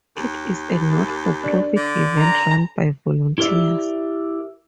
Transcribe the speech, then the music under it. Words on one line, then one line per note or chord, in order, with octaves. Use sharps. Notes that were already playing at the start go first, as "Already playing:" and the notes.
It is a not for profit event run by volunteers.
D#2
D4
D3
A#5
E4 G4 A#4 D5 E5